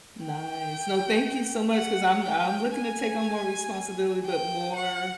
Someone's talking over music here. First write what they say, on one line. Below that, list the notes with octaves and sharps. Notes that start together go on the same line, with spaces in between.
Nice. No, thank you so much 'cause I'm I'm looking to take on more responsibility, but more
G5
F#5
G5
G#5
G5
F#5